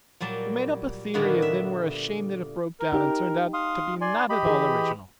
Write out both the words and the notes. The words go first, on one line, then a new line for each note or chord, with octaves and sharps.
You made up a theory and then were ashamed that it broke down and turned out to be not at all original!
A#2 F#3 G3 A5 A#5
A#2 D3 D#3 G3 B3 F#4
E5
A#4
D#4 G4
F5 C6 D#6
D5 G#5 C6
G4 D#5 B5
E3 G#4